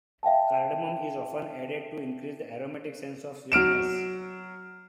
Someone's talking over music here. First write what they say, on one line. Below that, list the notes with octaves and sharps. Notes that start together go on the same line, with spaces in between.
Cardamom is often added to increase the aromatic sense of sweetness.
E5 F5 G5 A5
F#3 F6 D7 E7